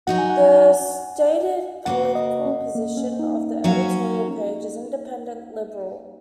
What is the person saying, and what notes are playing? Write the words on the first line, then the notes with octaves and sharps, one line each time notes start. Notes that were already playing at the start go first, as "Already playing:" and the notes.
The stated political position of the editorial page is "independent liberal".
F#3 D#4 F#4 F#5
G#5
F#5
C#3 A#3 F#4 F#5
D#5
C#4
A#3
C#4
D#4
F#3 C#4 F#4